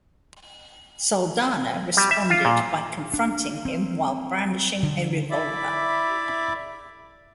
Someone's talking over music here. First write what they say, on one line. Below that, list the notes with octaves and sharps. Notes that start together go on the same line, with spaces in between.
Saldanha responded by confronting him while brandishing a revolver.
G3
E5
F4
A#2
D4
C4
D3
E4 D5 E5 B5 D6